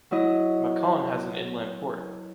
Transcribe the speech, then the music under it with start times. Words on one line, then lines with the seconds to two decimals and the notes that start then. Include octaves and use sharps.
Mâcon has an inland port.
0.11 F#3 E4 D#5